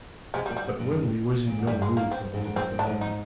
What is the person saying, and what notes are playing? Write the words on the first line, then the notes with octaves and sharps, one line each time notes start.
But Wimley was in no mood for holding a levee.
C3 G#3
G3
A#2
G3
G#2
G2
A#2
G#2
G2 G3
G#3
A#3
C4
G2
G#2
A#2 C4
A#2
D4
G#2
D#4